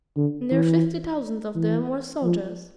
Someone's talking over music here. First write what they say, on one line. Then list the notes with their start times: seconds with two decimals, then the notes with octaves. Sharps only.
Near fifty thousand of them were soldiers.
0.17 D3
0.51 E3
1.55 E3
2.23 F3